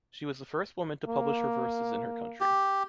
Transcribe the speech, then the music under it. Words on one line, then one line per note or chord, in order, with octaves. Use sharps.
She was the first woman to publish her verses in her country.
A#3
G4